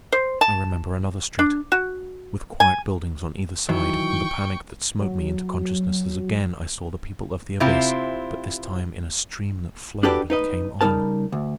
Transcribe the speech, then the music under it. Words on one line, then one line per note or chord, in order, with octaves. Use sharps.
I remember another street, with quiet buildings on either side, and the panic that smote me into consciousness as again I saw the people of the abyss, but this time in a stream that flowed and came on.
C5
A5
D4
F#4
G#5
D#3 E3 F#3 G5 C#6
F#3
C3 C4 E4 F4
D4 F#4 G4 A4 B4 D5
D#4 B4 D#5
C#3 G3 C#4 D#4 A#4 A5
D2